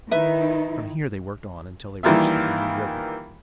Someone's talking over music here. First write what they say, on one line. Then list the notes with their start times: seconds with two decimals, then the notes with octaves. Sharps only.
From here they worked on until they reached the Green River.
0.11 D#3 D#4 E4 B4 E5
2.03 D#3 E3 G3 A#3 F4 E5